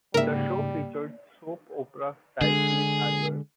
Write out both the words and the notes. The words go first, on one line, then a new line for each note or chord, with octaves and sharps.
The show featured soap opera-style cliffhangers.
G#2 C#3 G3 A#3 A#4 E5
D3 G#3 G#4